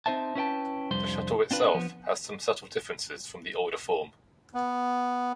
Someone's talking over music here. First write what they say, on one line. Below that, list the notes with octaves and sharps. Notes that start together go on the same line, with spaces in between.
The shuttle itself has some subtle differences from the older form.
C4 D#4 C5 E5 A5
C#4 E4 B4 F5 G5 A5
C2 F2 G3 D4 C5 C6
C4 D4 F4 B4
F3 B3
B3